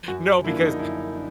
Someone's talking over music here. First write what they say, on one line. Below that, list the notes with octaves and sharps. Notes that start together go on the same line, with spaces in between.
"No, because
F#2 F#4
D3 F3 A#3 D4 E4
D#4
F#2 E4
D4